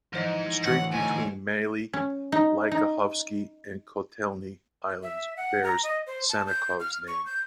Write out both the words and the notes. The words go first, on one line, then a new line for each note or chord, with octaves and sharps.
A strait between Maly Lyakhovsky and Kotelny islands bears Sannikov's name.
G#2 E3 F3 C5 D#5
D2 A2 E3 F#5
D2 G#2 A3 C4 G#5
C#4
D#4
D#4
E5
F#5
A#5
D#5
C5
A5
G6
F6
C#6
G6